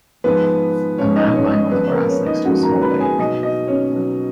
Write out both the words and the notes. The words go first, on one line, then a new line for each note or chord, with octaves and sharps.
A man lying on the grass next to a small lake.
G#2 F3 G#3 B3 B4
G#2 F3 G#3 C#4 C#5
D#4 D#5
C#4 C#5
D#4 D#5
F#2 C#3 F3 G#3 B3 B4
A#3 A#4
C#4 C#5
D#4 D#5
F#2 C#3 F3 G#3 F#4 F#5
A#4 A#5
B4 B5
G#4 G#5
B2 F#3 D#4 D#5
D#4 D#5
C#4 C#5
B2 F#3